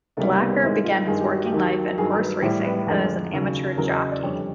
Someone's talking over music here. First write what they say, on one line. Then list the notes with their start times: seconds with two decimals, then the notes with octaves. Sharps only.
Blacker began his working life in horse-racing and as an amateur jockey.
0.17 C#2 C3 D#3 G3 A3
0.28 A#3
0.39 B3
0.51 C4
0.62 G#2 D#3 G#3 E4
0.84 F4
1.07 G2 D#3 G#3 G#4
1.20 G4
1.33 F#4
1.46 G4
1.52 D#2 D#3 F#3
1.98 G2 D#3 F#3 G#4
2.12 A#4
2.20 B4
2.42 A2 E3 G3 C5
2.65 B4
2.82 B4
2.87 F2 D3 F3 G#3 A#4
3.32 D#2 C#3 F#3
3.77 E2 C#3 F#3 A#4
3.89 D#5
4.00 D#5
4.11 D5
4.23 F2 D3 G3 C#5